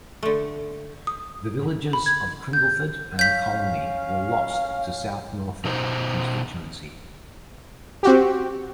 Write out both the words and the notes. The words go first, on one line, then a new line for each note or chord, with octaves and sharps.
The villages of Cringleford and Colney were lost to South Norfolk constituency.
D3 A3
D#6
B5
G#6
G6
C#4 F5 G6 B6
B2 D#4 C5
C4 F#4 G4